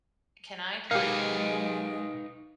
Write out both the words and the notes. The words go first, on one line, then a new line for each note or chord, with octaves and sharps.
can I tell you?
G#3 D#4 G4 A#4 B4 F5